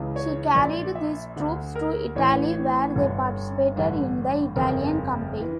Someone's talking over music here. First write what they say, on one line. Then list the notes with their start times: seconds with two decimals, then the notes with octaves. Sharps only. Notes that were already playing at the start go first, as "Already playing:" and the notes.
She carried these troops to Italy, where they participated in the Italian campaign.
Already playing: C#2 C#3 E3
0.16 C#5
0.55 A#1 A#2 D5
0.95 E5
1.36 D2 D3
1.75 A#4
2.15 A1 A2 E3 C#5
2.95 G1 G2 D3
3.76 A1 G2 D3
4.56 G1 F2 C#3 A#4
5.41 E3